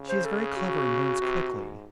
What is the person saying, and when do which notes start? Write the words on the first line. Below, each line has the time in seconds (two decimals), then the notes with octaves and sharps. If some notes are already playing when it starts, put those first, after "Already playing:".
She is very clever and learns quickly.
Already playing: C#3
0.09 C5
0.25 A4
0.41 G#4
0.57 F#4
1.21 C3
1.52 G#2